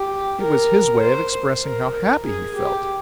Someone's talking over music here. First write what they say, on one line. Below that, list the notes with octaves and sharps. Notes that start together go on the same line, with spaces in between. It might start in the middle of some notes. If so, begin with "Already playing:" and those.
It was his way of expressing how happy he felt.
Already playing: G4
A#4
C5
A#4
G#4
G4